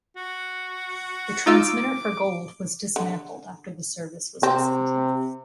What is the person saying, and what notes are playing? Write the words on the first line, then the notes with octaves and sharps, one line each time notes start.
The transmitter for Gold was dismantled after the service was discontinued.
F#4
D#4 F4 D6 E6
D3
C3 C4